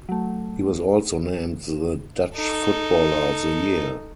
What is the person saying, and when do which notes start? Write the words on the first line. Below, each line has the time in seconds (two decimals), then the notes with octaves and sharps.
He was also named the Dutch Footballer of the Year.
0.09 F#3 A3
2.35 D#4 A4